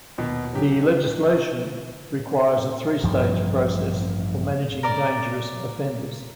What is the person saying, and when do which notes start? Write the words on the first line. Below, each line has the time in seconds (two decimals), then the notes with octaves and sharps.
The legislation requires a three-stage process for managing dangerous offenders.
0.18 D#2 B2
0.53 F#3 C#4 G4
3.03 A1 G2 F3
4.83 A#4 D5